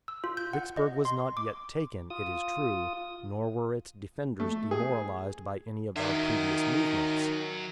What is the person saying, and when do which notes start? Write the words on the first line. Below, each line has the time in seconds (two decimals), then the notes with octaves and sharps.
Vicksburg was not yet taken, it is true, nor were its defenders demoralized by any of our previous movements.
0.08 E6
0.24 F4
0.37 G6
0.53 F#5
0.77 D#5
1.05 C6
1.37 D6
2.10 F4 D#6
4.40 A3
4.71 G#4
5.96 D#3 F#3 E5